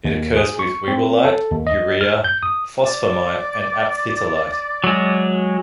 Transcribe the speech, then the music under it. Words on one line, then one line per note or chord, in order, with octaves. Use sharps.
It occurs with whewellite, urea, phosphammite and aphthitalite.
D#2
G#4
C#6
C4
A4
D#2
D#5
F6
G6
D#6
D5
F#3 G#3